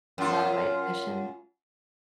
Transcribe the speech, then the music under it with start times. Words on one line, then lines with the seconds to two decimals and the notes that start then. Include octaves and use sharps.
Lotta light pollution?
0.18 F#2 F4